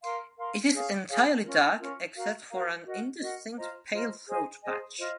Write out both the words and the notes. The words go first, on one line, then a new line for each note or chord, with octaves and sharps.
It is entirely dark except for an indistinct pale throat patch.
A#4 F5 C6
A#4 F5 C6
G#4 C#5 F5
G#4 C#5 F5
C#4 F4 A#4
C#4 F4 A#4
F#4 A#4 F5 A#5
F#4 A#4 F5 A#5
F#4 A#4 D#5 F#5
F#4 A#4 D#5 F#5
F4 C5 D#5 A#5
F4 C5 D#5 A#5
G#4 C5 D#5 G#5
G#4 C5 D#5 G#5
F4 C5 D#5